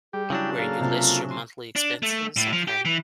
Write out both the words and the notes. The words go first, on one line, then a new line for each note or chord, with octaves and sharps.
where you list your monthly expenses? Okay.
G3 G4 G#4
C#3 F#3 D4 E4
A#3 G#4 A4 F5
C3 F4
C6
D4
A3
A2
F3
G4
E3